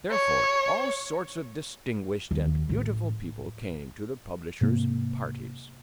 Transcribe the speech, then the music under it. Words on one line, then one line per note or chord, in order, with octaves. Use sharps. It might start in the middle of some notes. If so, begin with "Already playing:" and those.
Therefore, all sorts of distinguished and beautiful people came to the publisher's "parties."
C#5
D#2
A1
G#2 C3 A#3